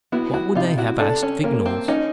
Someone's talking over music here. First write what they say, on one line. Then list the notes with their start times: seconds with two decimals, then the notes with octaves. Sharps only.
What would they have, asked Vignolles.
0.12 B3 E4 F#4
0.33 E4 F#4
0.55 C3 D#4 F4
0.78 E4 F#4
0.99 D4 A4
1.22 C#4
1.44 A#3 C#4
1.66 C4
1.88 C#4 D#4